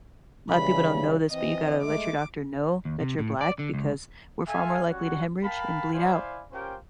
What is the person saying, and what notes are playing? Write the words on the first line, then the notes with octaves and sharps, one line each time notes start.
a lot of people don't know this, but you gotta let your doctor know that you're Black, because we're far more likely to hemorrhage and bleed out.
C#3 E3 G3 B5
E3 C4 D#5
G#3 A3 D6
D#2
C3
A2
D5
D3
C#2
A4 E5 F5 G#5
G3 C#4 F#4 C#5 F#5
A#4 F5 G5 A5 B5
E4 C5 D5 F5 G#5 B5
C#4 F4 G4 A#4 C5 G5